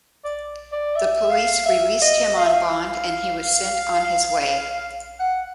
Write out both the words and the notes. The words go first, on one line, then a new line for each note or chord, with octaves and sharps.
The police released him on bond and he was sent on his way.
D5
D5
E5
F5
E5
D#5
F5
E5
F5
F#5